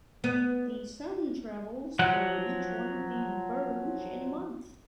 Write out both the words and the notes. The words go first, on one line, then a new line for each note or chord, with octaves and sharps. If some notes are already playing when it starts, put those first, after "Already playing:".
The sun travels through each one of these Burj in one month.
B3
F3 F#3 F#5